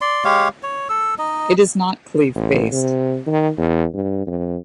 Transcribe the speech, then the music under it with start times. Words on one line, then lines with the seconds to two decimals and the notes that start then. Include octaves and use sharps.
It is not clave-based.
0.01 D5 C6
0.25 G#3 G4 C#5 F5
0.63 C#5
0.89 A4 E6
1.19 D#4 D#5
2.35 A1
2.72 C3
3.27 D#3
3.58 E2
3.94 G2
4.27 F2